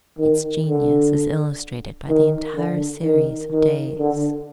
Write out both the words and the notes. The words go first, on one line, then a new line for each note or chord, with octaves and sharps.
Its genius is illustrated by the entire series of days.
D#3
D3
D#3
D3
D#3
D#3
D3